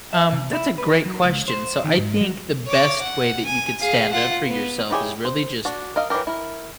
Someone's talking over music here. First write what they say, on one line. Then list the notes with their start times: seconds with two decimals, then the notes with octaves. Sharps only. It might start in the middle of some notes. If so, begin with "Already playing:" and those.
Um, that's a great question, so I think the best way that you could stand up for yourself is really just
0.13 E5
0.32 C3
0.53 E4
0.78 B4
1.06 F#3
1.24 C#2
1.48 C5
1.84 D#3
1.97 G#2
2.21 F#3
2.67 C#5 D6
3.01 F#5
3.45 G#5
3.80 G#4 F5
4.11 F4 F#5
4.46 B3
4.90 D#4 E4 G4 G#4 C#5
5.25 C5
5.65 D4 F#4
5.96 A#4 D#5 F5
6.10 E3 F#3 E4 G4 A#4
6.27 E4 A#4